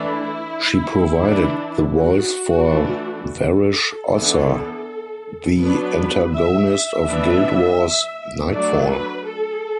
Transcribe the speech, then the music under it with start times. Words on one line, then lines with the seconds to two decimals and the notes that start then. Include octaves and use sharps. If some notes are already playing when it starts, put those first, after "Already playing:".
She provided the voice for Varesh Ossa, the antagonist of Guild Wars' "Nightfall".
Already playing: E3 A3 D4 E4
1.21 E3 D4
1.94 F#4
2.67 E3 A3 D4
3.40 A4
4.14 E3 B3 D4
5.60 F#3 B3 D4 B4
6.33 E5
6.69 E5
7.06 E3 B3 D4
8.52 F#3 A3 D4 D5
8.89 B4
9.25 A4